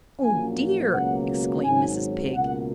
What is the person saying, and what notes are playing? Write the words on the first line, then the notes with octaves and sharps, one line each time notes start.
"Oh dear!" exclaimed Mrs. Pig.
A#1 A#2 F#3 A#3 C#4 G#5
C#2 B2 F#3 A#3 F#5
G#1 G#2 F#3 C#4 G#5
C#2 B2 A#3 F#5